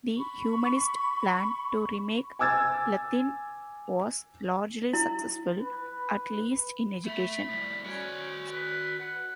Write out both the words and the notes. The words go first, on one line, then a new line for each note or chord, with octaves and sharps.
The humanist plan to remake Latin was largely successful, at least in education.
B5 C#6
G#5 D6 E6 G#6 A6
E4
B4
A3 E5 B5
A2 G3
C#4 F#4 D5
B4
F#5